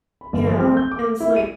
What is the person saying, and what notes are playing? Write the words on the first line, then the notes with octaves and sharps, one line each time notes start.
Yeah, and it's, like
B5
G1
F3
C4
G6
D6
E4
D#7